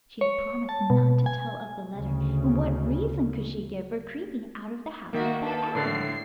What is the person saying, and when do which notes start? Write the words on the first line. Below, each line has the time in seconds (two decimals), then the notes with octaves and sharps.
She had promised not to tell of the letter, and what reason could she give for creeping out of the house at that hour?
0.21 C#5
0.69 A5
0.90 B2
1.26 G#5
1.95 D2 C#3
5.13 D#3 A#3 F#4 E5
5.44 A4 B4
5.75 A2 D3 A6 C7